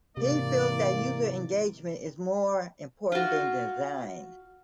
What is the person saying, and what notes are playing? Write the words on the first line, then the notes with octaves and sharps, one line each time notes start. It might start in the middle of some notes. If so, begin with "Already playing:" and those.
He feels that user engagement is more important than design.
G#2 C3 E3 A#3 D5
F4 F#4